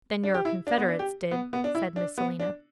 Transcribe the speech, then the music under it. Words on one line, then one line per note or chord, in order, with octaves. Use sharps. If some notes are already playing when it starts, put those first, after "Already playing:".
'Then your confederates did,' said Miss Selina.
D4
G4
E4
D4
B3
D4
G4
B3
B3
D4
E4
D4
B3
D4